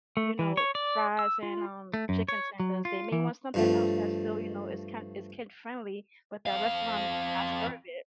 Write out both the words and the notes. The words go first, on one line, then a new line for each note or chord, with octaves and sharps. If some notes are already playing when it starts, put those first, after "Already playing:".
you know, fries and, um, chicken tenders. They may want something else that's still, you know, is kin is kid friendly, but that restaurant may not serve it.
A3
E3
C#5
D5
E6
F4
A3
F#2
C#5
F#3
F4
E3
G2 F3 A3
F2 F5